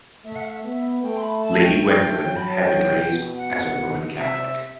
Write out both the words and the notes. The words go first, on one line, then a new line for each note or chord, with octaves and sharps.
Lady Gwendoline had been raised as a Roman Catholic.
A3 E5
F#5
E5
B3
A3 G5
C6
B5
A5
G5
A3 G5
F#3
B5
A5
G5
B2
F#5
C3 E5